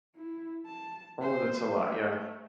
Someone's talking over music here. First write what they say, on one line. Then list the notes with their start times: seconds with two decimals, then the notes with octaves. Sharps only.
Ooh, that's a lot, yeah.
0.16 E4
0.66 A5
1.21 C5
1.75 A3